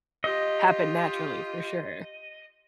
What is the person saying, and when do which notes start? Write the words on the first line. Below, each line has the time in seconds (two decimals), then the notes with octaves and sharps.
happen naturally for sure.
0.24 F4 G4 D#5